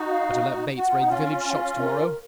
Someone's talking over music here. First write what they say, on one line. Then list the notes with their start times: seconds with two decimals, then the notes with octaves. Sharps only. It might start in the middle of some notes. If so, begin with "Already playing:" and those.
Better let Bates raid the village shops to-morrow.
Already playing: D#4 F#4
0.11 F5
0.78 F#4 F#5
0.88 F4
0.99 D#4
1.09 C#4 F4 F5
1.46 G#5
1.51 F5
1.80 A#4